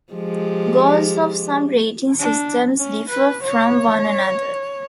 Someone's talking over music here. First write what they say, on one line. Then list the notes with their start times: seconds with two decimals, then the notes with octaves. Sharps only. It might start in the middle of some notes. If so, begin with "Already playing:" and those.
Goals of some rating systems differ from one another.
0.13 F3 G#3 G4
2.20 D4
2.77 C#4
3.09 B4
3.42 C#5